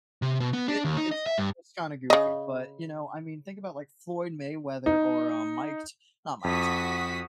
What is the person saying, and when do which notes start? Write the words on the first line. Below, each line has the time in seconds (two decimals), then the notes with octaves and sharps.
it it's a it's kind of goofy, but, you know, I mean, think about, like, Floyd Mayweather or, um, Mike T not Mike T
0.22 C3
0.40 B2
0.53 B3
0.68 D4
0.85 D#2
0.97 D#4
1.11 D#5
1.26 E5
1.38 G2
2.10 C#3 D#5
4.86 D#4
6.44 F2 F#4 D#6 B6